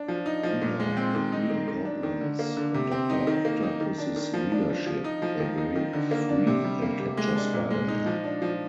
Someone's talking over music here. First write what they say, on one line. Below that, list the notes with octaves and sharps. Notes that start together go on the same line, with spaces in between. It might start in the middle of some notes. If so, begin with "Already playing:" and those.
Under the Green Goblin's and Doctor Octopus's leadership, they break free and capture Spider-Man.
Already playing: D4
F3
D#4
F3
A#2
G#3
C4
D#3
D#4
D#3
D#3
D4
D#3
D3
A#3
D3
C3
C4
D#4
D#3
A#3
D#4
D#3
D4
D#3
F3
D4
F3
F3
D#4
F3
D#3
D#4
D#3
D3
A#3
D4
C3
G3
A#3
C3
G#3
D4
A#2
G#3
D#4
F3
D4
F3